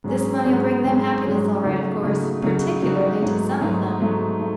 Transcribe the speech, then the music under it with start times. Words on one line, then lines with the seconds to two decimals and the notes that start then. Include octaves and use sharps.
This money'll bring them happiness all right, of course,--particularly to some of them.
0.04 G#2 F#3 C#4 G#4
0.45 G#2 F#3 C#4 G#4
0.84 G#2 F#3 C#4 G#4
1.23 G#2 F#3 C#4 G#4
1.63 C#3 F#3 A3 D#4 F#4
2.03 C#3 F#3 A3 D#4 F#4
2.42 C#3 F#3 A3 D#4 F#4
2.81 C#3 F#3 A3 D#4 F#4
3.22 G#2 F#3 A3 D#4
3.61 G#2 F#3 A3 D#4
4.00 G#2 F#3 A3 D#4
4.40 A3 D#4